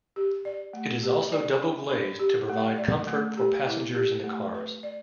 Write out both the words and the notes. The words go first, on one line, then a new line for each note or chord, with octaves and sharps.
It is also double-glazed to provide comfort for passengers in the cars.
G4
D5
A3
G4
D5
D4
D4
G4
A3
D5
A3
G4
E4
G4
A3
B4
D5